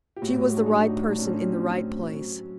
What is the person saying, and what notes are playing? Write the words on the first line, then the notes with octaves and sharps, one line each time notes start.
She was the right person in the right place.
G4
A2 F#4
D4
F#3 D#4
A2 D4
C#4
C4
C#4
F#3
F#3